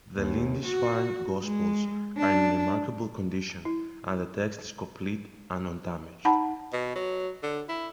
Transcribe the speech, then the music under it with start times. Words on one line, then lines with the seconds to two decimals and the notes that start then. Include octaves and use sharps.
The Lindisfarne Gospels are in remarkable condition and the text is complete and undamaged.
0.17 D#2
0.66 F#4
1.44 G#3
2.18 D4
3.65 E4
6.25 D#4 F#5 A5 B5
6.73 B2
6.96 F#3
7.43 D3
7.69 E4